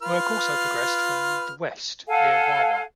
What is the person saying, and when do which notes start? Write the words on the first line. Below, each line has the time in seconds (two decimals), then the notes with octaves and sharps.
Work also progressed from the west, near Wawa.
0.02 F4 B4 F6
2.07 A4 F5 F#5 G#5